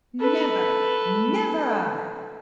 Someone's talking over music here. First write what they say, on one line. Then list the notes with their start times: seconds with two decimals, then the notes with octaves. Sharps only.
Never, NEVER!'
0.20 A4 B4